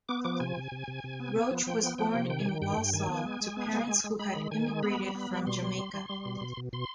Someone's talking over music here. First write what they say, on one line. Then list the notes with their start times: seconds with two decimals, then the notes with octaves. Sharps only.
Roach was born in Walsall to parents who had immigrated from Jamaica.
0.09 B3 D6
0.24 F3 D6
0.40 C3 G#5
0.57 C3
0.72 C3
0.88 C3
1.04 C3
1.20 B3
1.35 B3
1.51 F3
1.66 F3 G5
1.83 B3
1.98 F3 G5
2.14 C3
2.29 D#3 G5
2.39 G#5
2.46 D#3 G5
2.61 G2 G5
2.77 G2
2.93 D#3 G#5
3.09 B3
3.25 G#3
3.41 G#3
3.57 B3
3.73 G#3
3.88 G#3
4.04 G#3
4.19 G#3 B5
4.36 D#3
4.51 D#3 G#5
4.67 G#3
4.83 B3 B5
4.99 G3
5.15 B3
5.31 G3
5.46 B2 C6
5.62 G3
5.78 G3
5.94 G3
6.09 G3
6.25 B2
6.41 B2
6.57 B2
6.73 B2 C6